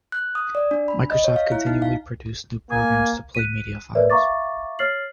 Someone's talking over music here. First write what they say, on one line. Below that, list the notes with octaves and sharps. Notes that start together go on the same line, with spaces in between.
Microsoft continually produced new programs to play media files.
F#6
D#6
D5
D4
B5
D#5
C#5
F5
E4
D#4
F5
A#3 G#5
F#6 B6 D#7
A#4 B4 C#5 D5 E5
E5 F5 A#5 C#6 D6 A6
C#5 F6 A6 C7 F#7